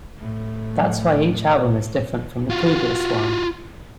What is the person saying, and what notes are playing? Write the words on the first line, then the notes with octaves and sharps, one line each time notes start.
That's why each album is different from the previous one.
A2 A3
F4 F#4